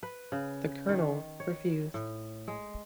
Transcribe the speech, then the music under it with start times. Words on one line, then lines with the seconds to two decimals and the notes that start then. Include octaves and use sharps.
The colonel refused.
0.03 B4
0.32 C#3
0.89 D#3
1.40 C#5
1.94 A2
2.48 G#3